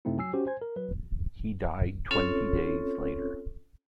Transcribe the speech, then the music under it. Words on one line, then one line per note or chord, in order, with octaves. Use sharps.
He died twenty days later.
F#2 C3 A3 C4 D#4 E4
F#3 G#5 E6 C7
C#4 F#4 G4 C5
C5 G#5 G#6
A#4
F#3 B4
C4 C#4 F4 A4 C#5